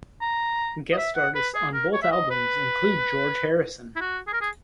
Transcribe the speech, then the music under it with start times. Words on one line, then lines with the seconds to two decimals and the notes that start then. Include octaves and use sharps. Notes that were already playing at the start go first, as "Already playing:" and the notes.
Guest artists on both albums included George Harrison.
0.22 A#5
0.92 D#5
0.97 E5
1.16 F#5
1.35 B4
1.54 G#4
1.74 A#4
1.93 C#5
2.03 E5
2.12 D#5
2.31 B4
3.96 E4
4.01 F#4
4.27 G#4
4.33 A#4
4.41 G#4